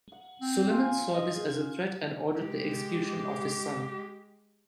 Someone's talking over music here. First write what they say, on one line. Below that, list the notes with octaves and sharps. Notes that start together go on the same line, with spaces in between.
Suleiman saw this as a threat and ordered the execution of his son.
F#5
C4
F4 G#5
D#5
G#4
C#4
G#3 G4